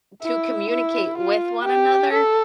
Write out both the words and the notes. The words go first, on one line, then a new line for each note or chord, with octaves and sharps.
to communicate with one another,
E4
E4
F4
G4
A4